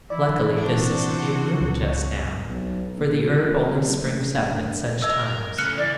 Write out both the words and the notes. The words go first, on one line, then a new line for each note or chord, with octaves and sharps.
Luckily this is a new moon just now, for the herb only springs up at such times.
E3 E4 D5
C3 D4 F#4 C5
C#2
B1
A#1
F3
D#1
C3
F#1
A1
C#3
G1
D2
A#4 D#5 E6
C#3 A3 F6 F#6 C#7
E3 D5